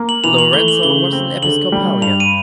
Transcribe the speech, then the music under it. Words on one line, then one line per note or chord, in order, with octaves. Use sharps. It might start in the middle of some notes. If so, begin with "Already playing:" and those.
Lorenzo was an Episcopalian.
Already playing: A#3
F#7
E3 F7
F#7
A3 G7
F#7
C#3 G7
C4
D3 F#7
G3
G2 F7
D#7